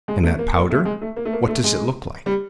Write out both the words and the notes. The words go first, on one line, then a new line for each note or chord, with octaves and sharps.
"And that powder, what did it look like?"
G#3
A3
A#3
A#3
A3
G#3
A3
A#3
A3
A#3
A3
G#3
G3